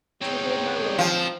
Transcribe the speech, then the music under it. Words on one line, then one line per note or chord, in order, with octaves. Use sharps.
Two hold my rope.
E2 C4 D#4 C#5 G5
F3 F5 A5